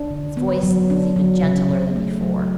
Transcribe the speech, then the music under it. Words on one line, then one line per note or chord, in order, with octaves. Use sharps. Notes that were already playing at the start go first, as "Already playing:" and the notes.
His voice was even gentler than before.
Already playing: D4
D3
B3
F#3
D4
F#3
C#3
C#3
A3
F#3